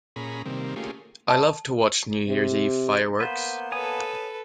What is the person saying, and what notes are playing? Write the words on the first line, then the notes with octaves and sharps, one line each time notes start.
I love to watch New Year's Eve fireworks.
A#2 C#4 G#4 A#5 B5
C3 D#3 G3 A#3 C4
A3 A#3 C#4 F4 G4 G#4
A5
C3
A#3 B3 B4 C5
A4 B4 C#5 G#5 D#6